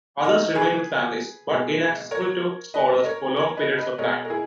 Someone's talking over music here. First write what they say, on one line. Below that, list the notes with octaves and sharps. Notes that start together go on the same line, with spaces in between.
Others remained with families, but inaccessible to scholars for long periods of time.
D#4
G#4 B4
B2 G#3
A#4 C#5
B4 D#5
D#5
A#4 C#5
A#4 C#5
B4 D#5
B4 D#5
B2 G#3 A#4 C#5
A#4
E4 G#4